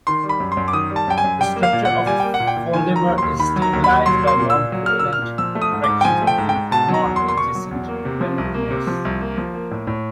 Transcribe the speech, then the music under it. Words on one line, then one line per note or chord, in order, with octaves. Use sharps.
The structure of a foldamer is stabilized by noncovalent interactions between nonadjacent monomers.
D#3 C6
G3
B5
F#2
C6
F#2
D6
D#3 D#6
G3
A5
F#2 G5
G#5
F#2
G3 G5
A#3
F5
A#2
A#2 F#5
G3 G#5
A#3 G5
F#5
A#2
G5
A#2
D#3 G#5
F#3
A#5
D#2
D#2 C6
D#3 B5
F#3
A#5
D#2
D#2 B5
F#3 C6
A#3 C6
A#2
E6
A#2
F#3
A#3 F6
E6
A#2
F6
A#2
F3 E6
A3
D#6
G#2
G#2 D6
G5
F3 G#5
A3
G5
G#2
G5
G#2
B2 A5
F#3
A#5
E2
C6
A#3
C6
B2 C#6
F#3
E2
A#3
C3
F3
C2
A#3
C3
F3
C2
A#3
F3
A#3
A2
A2